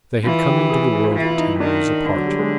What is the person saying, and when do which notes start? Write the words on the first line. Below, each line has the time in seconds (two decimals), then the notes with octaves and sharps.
They had come into the world ten years apart.
0.25 E3 F4
0.48 G4
0.59 G4
0.70 G#4
0.93 G#4
1.08 F4
1.15 E3 E4
1.23 F4
1.30 E4
1.38 D#4
1.60 D#3 D4
2.05 D3
2.15 F#3
2.26 G3
2.39 G#3